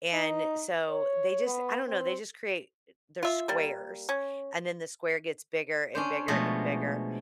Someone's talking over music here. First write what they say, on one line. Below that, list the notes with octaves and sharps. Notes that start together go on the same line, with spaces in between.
And, so, they just I don't know, they just create they're squares, and then the square gets bigger and bigger and bigger.
D#4
C#5
B3
C4
F4 E5
G3 A#3
C#4
C#4 D4 C5
B2 F3 G#3 A3 B3